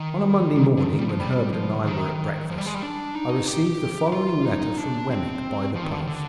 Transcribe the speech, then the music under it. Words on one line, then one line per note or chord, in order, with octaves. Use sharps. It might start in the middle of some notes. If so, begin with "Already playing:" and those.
On a Monday morning, when Herbert and I were at breakfast, I received the following letter from Wemmick by the post.
Already playing: D#3
D#3
D3
D#3
G3
F3
G3
F3
D3
D#3
F3
G3
G#3
G3
D4
D#4
G4
F4
D#4
D4
C4
F3
D#3
D3
D#3
D3